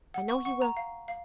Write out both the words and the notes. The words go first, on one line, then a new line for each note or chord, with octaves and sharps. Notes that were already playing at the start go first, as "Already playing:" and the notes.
I know he will!
F#5
C#6
F#5 C#6
A#5
F5
F5